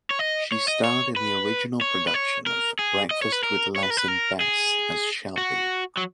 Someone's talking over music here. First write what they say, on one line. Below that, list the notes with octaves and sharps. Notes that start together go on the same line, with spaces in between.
She starred in the original production of "Breakfast with Les and Bess" as Shelby.
C#5
D#5
C#5
D#5
C#5
B4
C#5
B4
C#5
A#4
G#4
D#5
C#5
B4
A#4
C#5
B4
A#4
B4
A#4
G#4
F#4
F#3